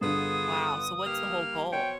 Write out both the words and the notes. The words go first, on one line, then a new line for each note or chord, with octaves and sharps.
Wow, so, what's the whole goal?
G2 D3 B3 F4 G#4 A4 D#6
A#3 G4 F6
B2 C5 C#5 G5